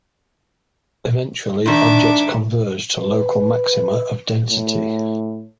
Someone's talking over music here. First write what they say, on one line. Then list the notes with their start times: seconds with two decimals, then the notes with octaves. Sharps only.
Eventually, objects converge to local maxima of density.
1.66 G#2 D#3 D4 E5 D6
2.98 B4
4.50 A2